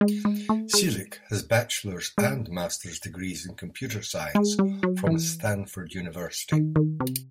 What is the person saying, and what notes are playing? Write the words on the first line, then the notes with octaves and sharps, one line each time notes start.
Celik has bachelor's and master's degrees in computer science from Stanford University.
G#3
G#3
A3
G#3
G#3
G#3
G3
F#3
E3
D#3
D#3
C3